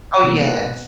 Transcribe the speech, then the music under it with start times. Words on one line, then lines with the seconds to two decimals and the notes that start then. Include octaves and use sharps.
Oh, yes.
0.23 C3 D#3 E3 G3 A#3 B3
0.47 A#4 B4 F#5 A5 F#6
0.66 B2